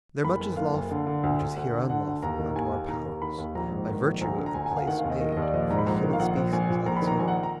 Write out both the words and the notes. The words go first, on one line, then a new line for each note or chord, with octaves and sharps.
There much is lawful which is here unlawful Unto our powers, by virtue of the place Made for the human species as its own.
F#1 B5
F#1
F#1 F5
F#1
D3
D3
D2
D2
D2 F#5
D3
D3 F#5
D2
D#2 A#5
D#3
D#2 G#5
D#2
D#3 A#5
D#2
D#3 B5
D#2
A#1 A#5
G#2
D#3
A#1
D2 A#5
D3
A#5
D2 G#5
G#5
D2
F5
D#3 F#5
F5
D#2
D#5
D#3 D#5
D#5
D#2
D5
A#1 D#5
D5
G#2 A#5
B5
A#1 A#5
D#3
F5
A#1 F#5
A#1
A#1 G#5
A#2
A#1 A#5
B5
D#3
A#5
A#1 G#5
F#5
A#5